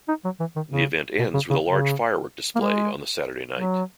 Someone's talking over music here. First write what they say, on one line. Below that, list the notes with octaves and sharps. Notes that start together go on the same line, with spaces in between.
The event ends with a large firework display on the Saturday night.
D#4
F#3
E3
D#3
C#3
B2
C#3
C#3
C#3
A#3
G#3
F#3